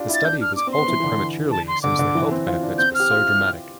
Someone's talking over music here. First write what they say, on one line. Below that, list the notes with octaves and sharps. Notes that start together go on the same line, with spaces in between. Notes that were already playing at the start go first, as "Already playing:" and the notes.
The study was halted prematurely since the health benefits were so dramatic.
Already playing: D4 F4 G4
E4
A6
D4 G6
D4 F6
D4 D6
C4
C6
B3
E3
E3
D3
A5
C6
D3 D6
D3
E3
C4
F4
D4
C4 G6
F6
G4
F4
E4